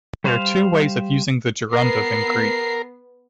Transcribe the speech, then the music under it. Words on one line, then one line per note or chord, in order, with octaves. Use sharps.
There are two ways of using the gerundive in Greek.
G3 C5 F5
B3 A#4 C7